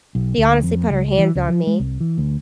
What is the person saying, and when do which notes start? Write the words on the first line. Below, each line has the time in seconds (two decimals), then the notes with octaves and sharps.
She honestly put her hands on me.
0.15 B1
0.38 D2
0.63 F2
0.90 C#2
1.18 E3
1.35 C#2
1.48 F3
1.67 G#3
1.80 C2
2.00 E3
2.18 D2